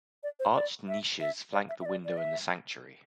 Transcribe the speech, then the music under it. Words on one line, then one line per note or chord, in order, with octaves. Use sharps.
Arched niches flank the window in the sanctuary.
D5
C5
D5
E5
E5
D5
E5
E5
D5
D5
E5